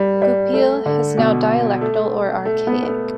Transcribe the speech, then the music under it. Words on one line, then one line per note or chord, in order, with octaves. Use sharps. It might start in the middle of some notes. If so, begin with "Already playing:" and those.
"Goupil" is now dialectal or archaic.
Already playing: G3
G3
A3
D3
B2
A3
A3
B3
B3
A3